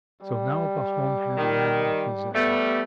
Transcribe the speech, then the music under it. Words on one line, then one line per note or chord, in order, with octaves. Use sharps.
So now Pahom had land of his own.
G3
D#3
G3 A3 B3